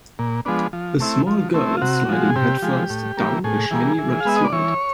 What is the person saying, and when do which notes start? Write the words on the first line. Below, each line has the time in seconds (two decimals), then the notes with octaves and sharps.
A small girl sliding headfirst down a shiny red slide.
0.19 A#2
0.45 F3 G#3 B3 D4
0.73 F3
1.00 A3 C4 E4
1.27 F3
1.54 A3 C4 E4
1.77 F4
1.81 C3 F#4
2.09 F3 G#3
2.30 G#4
2.36 C3 G4
2.62 F3 G#3
2.90 A2
3.17 E3 G3 A#3
3.44 A2 G#4
3.71 E3 G3 A#3
3.98 E3
4.20 F5
4.25 G#3 B3 E5
4.36 D#5
4.44 D5
4.52 E3 C#5